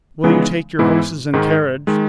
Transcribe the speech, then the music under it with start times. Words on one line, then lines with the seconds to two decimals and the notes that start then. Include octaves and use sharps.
"Will you take your horses and carriage?"
0.24 C#3 E3 G#3 B3 D#4
0.79 G#2 E3 G#3 B3 E4
1.33 G#2 D#3 G#3
1.87 D#3 G#3